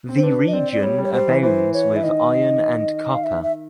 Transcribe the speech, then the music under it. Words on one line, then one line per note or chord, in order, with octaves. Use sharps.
The region abounds with iron and copper.
C4
C5
D4 B4
D#5
C4 D5
D5
G3 C#5
G3
C#5
G3 C5
E3
E3 C5
C#5
E5
D#3 D#5
F5
E5
E5